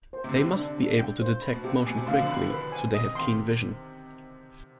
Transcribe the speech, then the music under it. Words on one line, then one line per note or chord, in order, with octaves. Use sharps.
They must be able to detect motion quickly, so they have keen vision.
C5
C3
D3
C3 G4
C3
D4
D4
G5
C5
B5
B2
C3 G4
B2 G#5
C3
B2 D3 F5
D3 F3
C3 D#3 B5
B4
G#5
D#5
C3 D#3 C6